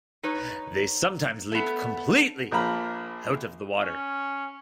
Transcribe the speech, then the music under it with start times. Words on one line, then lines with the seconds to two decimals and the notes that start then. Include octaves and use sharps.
They sometimes leap completely out of the water.
0.23 D#4 B4 C#5
1.52 A3 B3
2.51 A#1 F3 A#3 A#5 B5
3.83 C#4